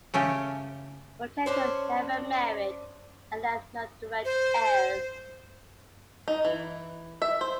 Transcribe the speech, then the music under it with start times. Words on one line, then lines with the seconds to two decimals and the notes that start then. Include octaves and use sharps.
Botetourt never married and left no direct heirs.
0.14 C#3 A3 C#4 G4
1.46 C#4 D4 C5
4.25 C5
6.28 D#4
6.45 E3
7.22 E5
7.41 C5